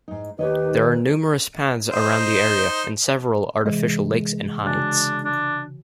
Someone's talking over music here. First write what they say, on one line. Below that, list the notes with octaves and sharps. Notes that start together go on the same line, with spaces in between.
There are numerous paths around the area, and several artificial lakes and hides.
G#2 D#4
D#2 D#3 G4 B4 C#5 D#5
D#4 C5
C3 E3 G#3
C#3 D4 F#4 G#5
D4